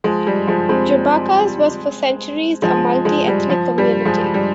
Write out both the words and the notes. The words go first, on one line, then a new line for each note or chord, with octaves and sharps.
Jurbarkas was for centuries a multi-ethnic community.
F3 G#3
G3
F3 G#3
G#3 C4
F3 G#3
F3 G#3
G3
F3
G3
F3 G#3
G3